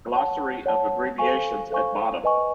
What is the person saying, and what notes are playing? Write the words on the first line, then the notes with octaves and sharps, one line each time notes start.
Glossary of abbreviations at bottom.
C#5 F#5 A5
C#5 F#5 A5
A4 C5 F5 G#5 C#6
A4 C5 F5 G#5 C#6
B4 D#5 G#5 C#6